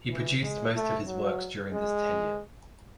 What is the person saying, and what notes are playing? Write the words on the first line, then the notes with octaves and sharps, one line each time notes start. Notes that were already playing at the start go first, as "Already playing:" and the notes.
He produced most of his works during this tenure.
E3
G#3
A3
F#3
G#3